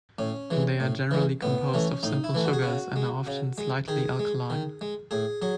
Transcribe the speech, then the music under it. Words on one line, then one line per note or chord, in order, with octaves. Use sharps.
They are generally composed of simple sugars and are often slightly alkaline.
A2 C#4
E3 G#3
A2
E3 G#3
A2 B3
E3 A3 C#4
A2 D#4
E4
E3 A3
F#4
G#4
C#3 F#4
G#3
C#3
G#3
D#3 G#4
G#3
D#3
G#3
A2 G#4
F#3 G#4